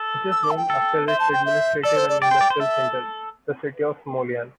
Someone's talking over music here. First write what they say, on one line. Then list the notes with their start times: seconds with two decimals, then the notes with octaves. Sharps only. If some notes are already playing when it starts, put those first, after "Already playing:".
It is named after its administrative and industrial centre - the city of Smolyan.
Already playing: A4
0.32 E6
0.43 D6
0.51 E5
0.57 G5
0.70 A4
1.07 C5 E5
1.20 A5
1.33 G5
1.46 E5
1.83 A4 D5
1.96 C5
2.09 D5
2.22 D5 G5
2.31 C5
2.41 D5
2.50 C5
2.60 A4 E5